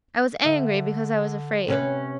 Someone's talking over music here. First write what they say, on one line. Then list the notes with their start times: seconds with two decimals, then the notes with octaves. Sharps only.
I was angry because I was afraid.
0.45 D3 E5
1.68 C3 C#4 B4